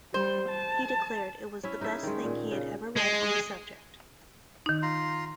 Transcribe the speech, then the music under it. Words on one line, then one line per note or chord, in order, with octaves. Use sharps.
He declared it the best thing he had ever read on the subject.
G3 C5
A5
C#4 E4 E5
D#4 E4 G#4 E5
D#3 G#3
A#2
C#3
G#3
D#3 D#4
F4 A#5 C6